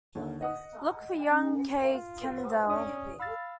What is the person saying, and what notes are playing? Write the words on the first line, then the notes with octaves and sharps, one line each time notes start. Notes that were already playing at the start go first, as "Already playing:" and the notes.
Look for young Kay Kendall.
D#2 D3
D#5 F#5 D#6
C#4
F4
B4 C5 F#5
C#4 D5 D#6
F5 B5 E6 A6